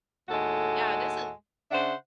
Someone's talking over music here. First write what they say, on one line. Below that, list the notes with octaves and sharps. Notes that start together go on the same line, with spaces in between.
Yeah, this i
D#2 A2 G#3 F#4 A4
C#3 D4 C5 E5 F#5